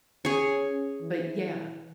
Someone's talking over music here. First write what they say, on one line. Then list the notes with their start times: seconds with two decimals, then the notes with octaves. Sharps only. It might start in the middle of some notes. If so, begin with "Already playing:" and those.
but yeah,
0.25 C#4 G#4 C#5
1.01 E3